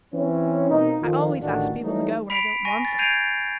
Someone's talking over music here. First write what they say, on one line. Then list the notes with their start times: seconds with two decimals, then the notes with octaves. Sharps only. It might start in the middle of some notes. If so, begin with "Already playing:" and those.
"I always ask people to go when I don't want them to."
0.13 E3 C4 C#4
0.70 B2 A#3 C4 D#4
1.01 F2 D#3 F4
1.41 A1 A2 D3 D#3 D4 F#4
1.82 E3 F#3 G3 A3 D#4
2.30 B5 B6 C7 D7 F7
2.65 G#5 C#6 A#6 D#7
2.85 A6
2.99 G6 G#6 C7 D7 D#7 F7